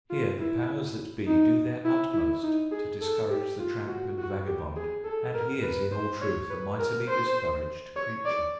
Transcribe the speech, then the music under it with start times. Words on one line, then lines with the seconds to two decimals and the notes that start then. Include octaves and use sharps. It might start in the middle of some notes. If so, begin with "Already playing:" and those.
Here the powers that be do their utmost to discourage the tramp and vagabond, and he is, in all truth, a mightily discouraged creature.
0.10 F4
0.40 E4
1.27 D#4
1.85 E4
2.13 E4
2.43 D#4
2.71 G#4
3.01 A4
3.30 G4
3.59 F4
3.88 F#4
4.18 F#4
4.46 G4
4.76 G#4
5.04 A4
5.34 A#4
5.63 B4
5.92 C5
6.21 C#5
6.50 B4
6.79 A#4
7.08 C5
7.96 C#5
8.25 D5